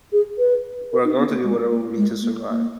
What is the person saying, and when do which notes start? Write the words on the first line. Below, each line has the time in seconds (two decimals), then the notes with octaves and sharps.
We are going to do whatever we need to do to survive.
0.12 G#4
0.38 B4
0.92 A#4
1.04 D#4
1.18 B3
1.31 A#3
1.44 G#3
1.71 A#3
1.97 G#3
2.22 A#3
2.49 A#3